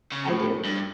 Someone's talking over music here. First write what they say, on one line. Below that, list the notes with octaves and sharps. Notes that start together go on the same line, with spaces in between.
I do.
C#3
A2
G2